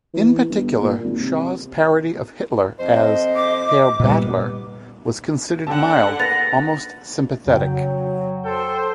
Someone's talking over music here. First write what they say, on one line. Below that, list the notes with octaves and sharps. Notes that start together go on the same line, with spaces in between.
In particular, Shaw's parody of Hitler as "Herr Battler" was considered mild, almost sympathetic.
E3
G1
A#2
G#1
C3
F2 C5 D#5
D6
A#2 G3 B3
D3 F#5 G5 A5
A#3 B4 A6 A#6 F7
F2 C#3 F#3 G5
A4 C5 G5